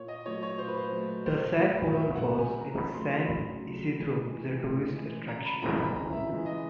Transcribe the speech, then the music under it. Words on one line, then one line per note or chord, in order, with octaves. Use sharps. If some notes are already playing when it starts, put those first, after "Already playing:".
The Sagpulon Falls in San Isidro is a tourist attraction.
Already playing: A#2 C#5
D#5
F#3 A3 C#5
C#5
A#2 C5
B4
C5
F#3 A3
A#2 C5
A#4
F#3 A3 A#4
B4
A#2 E5
F#5
F#3 A3
G#5
C#3 A#5
B5
F#3 A3 C6
C6
C#3 B5
F#3 A3
A2
E3 G#3
A2
E3 G#3
C#3 A#5
B5
E3 G#3 A#5
B5
C#3 A#5
E5
E3 G#3
D#5